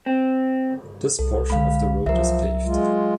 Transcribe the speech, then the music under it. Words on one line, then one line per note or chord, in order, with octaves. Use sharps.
This portion of the road is paved.
C4
C2 A4
D3 G#3 F5 B5
C2 F3 F#3 A#4 E5
G#3 F4